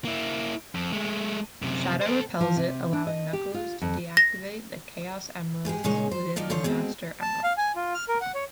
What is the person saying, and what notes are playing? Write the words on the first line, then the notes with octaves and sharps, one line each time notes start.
Shadow repels it, allowing Knuckles to deactivate the Chaos Emeralds with the Master Emerald.
A#3 E4
F2
G#3 A3
F#2 C3
A4 C5
F3
C3
D4
D#5
G4
F4
F2
A#6
G#2 G#3 G4 G#4
A#2 C#3 G#3 D#4 C#5
C5
D2 D#3 F3 D#4 D5
F#2 D3 F3 C5 C#5
B2 G#3 C4
A5
F5
G#5
F4
F6
A#4
F#5
C#5